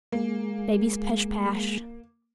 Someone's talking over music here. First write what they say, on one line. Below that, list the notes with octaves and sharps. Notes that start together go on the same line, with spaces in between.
Baby's Pesh-Pash.
G#3 A#3